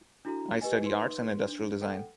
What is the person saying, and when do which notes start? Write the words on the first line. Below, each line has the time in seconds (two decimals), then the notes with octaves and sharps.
I study arts and industrial design.
0.25 D4 E4 F#4 A4 A#5
0.61 G4 B4 D#5 G#5
0.82 D#4 B4 C6
1.48 D4
1.81 A4 F#5 G5